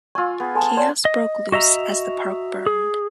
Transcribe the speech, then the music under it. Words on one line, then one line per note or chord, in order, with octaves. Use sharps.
Chaos broke loose as the park burned.
F4 G#5 C#6 E6
B3 G#4
A4 G#5 A5 C6
C#5 D5 G#5 C6
D#5
F#4 D#5 E5 A#5
G#4